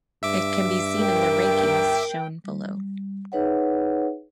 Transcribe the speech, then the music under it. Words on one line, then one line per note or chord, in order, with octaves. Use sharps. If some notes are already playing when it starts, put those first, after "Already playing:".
It can be seen in the rankings shown below.
G2 E5 D6
A#4 G5
G3
D#4 G#4 B4 C#5 E5 F#5